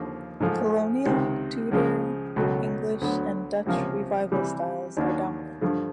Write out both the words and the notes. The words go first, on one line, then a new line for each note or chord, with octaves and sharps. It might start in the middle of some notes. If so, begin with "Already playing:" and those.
Colonial, Tudor, English and Dutch Revival styles are dominant.
Already playing: D#2 D3 F3 A#3
G#2 F3 A3
C#2 C3 D#3
C#2 C#3 F3 G#3
C#2 B2 F#3 A3
D2 D3 F#3 B3
C#2 C3 F3 A#3 C#4
C3 E3 G3
D#2 D#3 F#3 A#3 D4
G2 D3 F3 A3